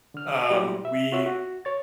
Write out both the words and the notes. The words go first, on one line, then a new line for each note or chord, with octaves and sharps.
um, we
D3 F6
F#3 G3 E4 F#4 G4
E5
F4 F#4 C#5 E5
F#4
C#5 A6